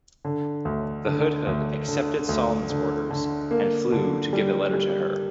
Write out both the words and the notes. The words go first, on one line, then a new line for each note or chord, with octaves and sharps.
The Hud-hud accepted Solomon's orders, and flew to give the letter to her.
D3
D2
D3
D2
D3
D2
D3
D3
A#3
D3
G3
G3